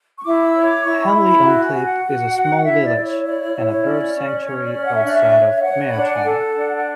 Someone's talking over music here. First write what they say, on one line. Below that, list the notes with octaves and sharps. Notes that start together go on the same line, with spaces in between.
Henley on Klip is a small village and a bird sanctuary outside of Meyerton.
C#6
E4 D6
E6
C#5
D6
E4 C#6
B5
E4
B5
F#4
G#5
F#4
F#5
F#4
F#4
E4 E5
D5
E4
C#5
C#5 D5
D5
E4 C#5
C#5
C#4 D5
C#4
D5
C#4 C#5
D5
C#4
F#5
E5
D4 D5
E5
C#5
E5
C#5 F#5
B5
D4
A5
G#5
A4 F#5
D4
F#5